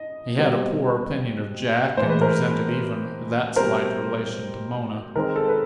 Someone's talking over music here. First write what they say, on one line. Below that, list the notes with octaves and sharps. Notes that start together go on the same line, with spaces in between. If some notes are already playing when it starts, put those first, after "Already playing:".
He had a poor opinion of Jack and resented even that slight relation to Mona.
Already playing: D#5
B2 G3 C4
A2 E3 G#3 C5
B4
A#4 C5
B2 G3 C4 A#4 C5
D#3 G#3 C4 A#4
A4
B4